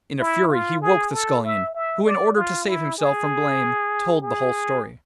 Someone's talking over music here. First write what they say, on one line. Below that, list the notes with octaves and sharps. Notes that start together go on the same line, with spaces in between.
In a fury he woke the Scullion, who in order to save himself from blame told the whole story.
E4
F4
G#4
A4
E5
E5
D5
F4
E4
G#4
G#4